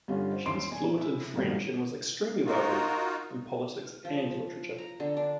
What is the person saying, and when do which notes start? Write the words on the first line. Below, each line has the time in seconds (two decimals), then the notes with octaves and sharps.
She was fluent in French and was "extremely well read" in politics and literature.
0.08 G2 D3 G3 C#4 F4
0.32 C5
0.46 D#2 C#4 E4 C6 D7
0.71 A#2 G#5
0.98 E4
1.33 G2 A#2 D#3 F3 F#3 A3
2.46 D#4 F4 F#4 A#4
4.05 F3
4.78 A#5
5.00 D3
5.17 D4